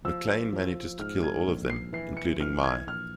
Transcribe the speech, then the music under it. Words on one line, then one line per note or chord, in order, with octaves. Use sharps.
McClane manages to kill all of them, including Mai.
F3 E6
F3
G#2 F6
G#6
A#1
C7
E3 C7
C#7
E3 F6
G#6
A#1 F6